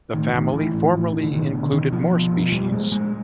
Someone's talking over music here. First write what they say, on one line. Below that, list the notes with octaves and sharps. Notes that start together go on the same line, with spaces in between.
The family formerly included more species.
A2 D#3
A2 D#3
A2 E3
A2
A2
A2
D3
B2 D#3
B2 D3
B2 D#3
B2 F3
B2
B2
A#2 G3
A#2 G#3
A#2 G#3